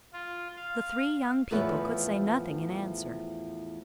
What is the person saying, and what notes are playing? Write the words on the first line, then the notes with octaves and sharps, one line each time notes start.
The three young people could say nothing in answer.
F4
F5
E2 A2 F3 B4 C#5 E5